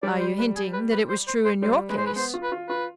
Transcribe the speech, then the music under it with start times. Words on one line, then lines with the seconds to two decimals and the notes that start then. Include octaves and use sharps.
"Are you hinting that it was true in your case?"
0.03 G3 D5
0.20 C5
0.39 B4
0.56 G#4
0.73 B4
0.92 B4
1.10 C5
1.28 C5
1.45 C5
1.62 G3 C5
1.89 G#3 B4
1.98 C5
2.06 B4
2.16 B3 C5
2.34 F4
2.43 B4
2.52 F4
2.69 F4 B4